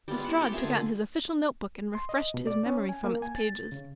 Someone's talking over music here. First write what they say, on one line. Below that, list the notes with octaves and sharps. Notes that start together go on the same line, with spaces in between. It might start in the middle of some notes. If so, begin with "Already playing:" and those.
Lestrade took out his official notebook and refreshed his memory from its pages.
G3 G#3 B3 F4
E4 A4 F#5
F4 G4
F4 G#4 E5 F5
D3 A#3
C6
D#5
B2
D5
C#4
G#5
A#3
G#5
A6
C#3